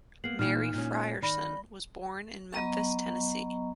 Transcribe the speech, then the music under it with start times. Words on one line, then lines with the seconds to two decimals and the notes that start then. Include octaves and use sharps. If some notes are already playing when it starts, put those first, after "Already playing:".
Mary Frierson was born in Memphis, Tennessee.
0.24 A#3 B3 C7 F#7
0.39 A#2 E3 D#4 F6
0.74 A#2 C#4
1.22 D#3 D5 B5 A#6
2.53 F#3 B3 D#5 A#5 C#6